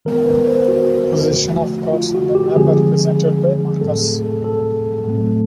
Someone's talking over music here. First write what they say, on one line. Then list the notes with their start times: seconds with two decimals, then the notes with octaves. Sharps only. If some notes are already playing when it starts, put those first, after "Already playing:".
Positions of cards on the map are represented by markers.
0.05 D#3 G#3 B3 A#4
0.26 B4
0.47 C5
0.68 F#4
1.31 D3 F3 A3
1.93 F4
2.15 F#4
2.35 G4
2.56 D3 F3 G#3 C4 G#4
3.81 A2 F#3 A3 C4 A4
4.02 G#4
4.23 A4
4.44 A4
5.06 A2 F#3 A3 C4